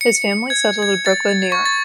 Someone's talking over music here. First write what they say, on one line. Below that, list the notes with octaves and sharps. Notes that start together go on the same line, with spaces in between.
His family settled in Brooklyn, New York.
C#7
G#6
G#6
A6
C#6
A6